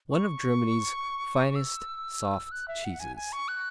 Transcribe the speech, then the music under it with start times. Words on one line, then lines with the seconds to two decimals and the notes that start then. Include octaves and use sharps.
One of Germany's finest soft cheeses.
0.11 C#6
1.56 E6
2.52 F#6
2.68 E5
2.84 F#5
3.00 G#5
3.16 G#5
3.33 C#6
3.48 F#6